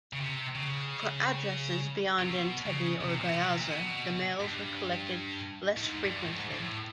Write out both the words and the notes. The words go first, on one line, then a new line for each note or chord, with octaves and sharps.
For addresses beyond Entebbe or Gayaza the mails were collected less frequently.
C#3
C3
C#3
C3
B2
C#3
C3
A#2
B2
C3
A#2
B2
G2
A2
G#2
G2
A2
G#2
A2